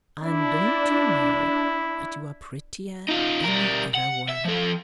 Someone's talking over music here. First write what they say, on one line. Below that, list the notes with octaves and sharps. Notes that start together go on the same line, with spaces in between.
"And don't you know that you are prettier than you ever were?"
D4 E4
D#4 F4
G3 A#4
F#5
E5
F3 A4